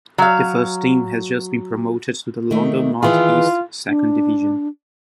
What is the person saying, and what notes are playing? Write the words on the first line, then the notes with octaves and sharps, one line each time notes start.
The First Team has just been promoted to the London North East Second Division.
F#3 F5
D#3 A3
D#3 E3 F4 G#4
D4